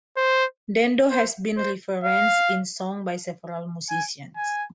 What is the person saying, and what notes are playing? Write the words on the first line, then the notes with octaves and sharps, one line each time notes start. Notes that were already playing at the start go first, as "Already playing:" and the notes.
Dando has been referenced in song by several musicians.
C5
C5
C5
F5
G#5
G#5